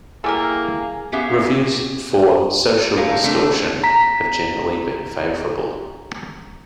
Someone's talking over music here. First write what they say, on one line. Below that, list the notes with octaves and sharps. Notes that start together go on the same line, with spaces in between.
Reviews for "Social Distortion" have generally been favorable.
A3 A#3 E4 G4 G#4 A#4 F5
B3 C#4 G4 G#4 E5 F5
G3 A3 A#4 C#5 F5
A3 A#3 C4 D4
A#5 B6